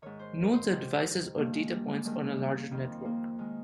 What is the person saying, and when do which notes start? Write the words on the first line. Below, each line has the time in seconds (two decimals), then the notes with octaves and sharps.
Nodes are devices or data points on a larger network.
0.02 G#2 D#3 C#5
0.19 C5
0.41 A#4
0.53 C5
0.69 G#2 D#3 G4
1.37 G2 D#3 A#3
1.54 G#3
1.71 G3
1.88 G#3
2.04 G2 D#3 G#3
2.21 G#3
2.38 G3
2.55 A#3
2.71 F2 D#3 C4
3.05 A#3
3.39 D#3 G#3